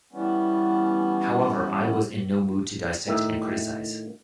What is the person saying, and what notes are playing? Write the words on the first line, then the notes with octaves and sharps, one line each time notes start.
However, I was in no mood to dissect and criticize.
E3 G3 B3 C#4
A2 D#3 E5